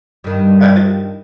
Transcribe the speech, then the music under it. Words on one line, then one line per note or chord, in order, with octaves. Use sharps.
yeah, I think
G2 D#3